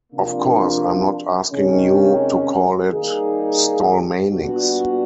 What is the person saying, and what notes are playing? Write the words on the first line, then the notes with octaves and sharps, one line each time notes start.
Of course, I'm not asking you to call it 'Stallmanix'.
C3 F3 A#3 D4 F4
C3 D#3 G#3 C#4
D#3 G3 A#3 D#4 G#4
A#2 G3 B3 D4 F#4